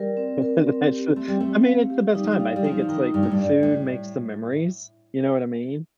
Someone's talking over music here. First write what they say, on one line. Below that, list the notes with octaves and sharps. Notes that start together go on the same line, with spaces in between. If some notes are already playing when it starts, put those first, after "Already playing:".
That's so I mean, it's the best time. I think it's, like, the food makes the memories. You know what I mean?
Already playing: G3 A#4
C4
A#4
C4
G4
A3 C4
G3
A3 C4
F5
G4
G3 D#4
F3
G3
F5
G3
F3 D#4
D#3 D#4
G2 G4
A2
G2
D5
A2 G3